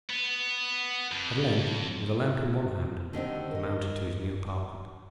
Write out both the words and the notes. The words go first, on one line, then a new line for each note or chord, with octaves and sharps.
At length, with a lamp in one hand, he mounted to his new apartment.
B3
F2
D3 D#3 G3 C4
A#4 D#5